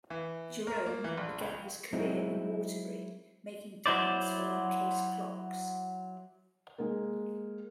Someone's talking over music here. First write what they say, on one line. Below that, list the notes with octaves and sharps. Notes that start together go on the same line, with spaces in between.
Jerome began his career in Waterbury, making dials for long-case clocks.
E3
A#4
A#3
E3
A#1
C#2
F#3 G#3 C4 D#4 E4
F#3 E4 C5 D5
G#3 A#3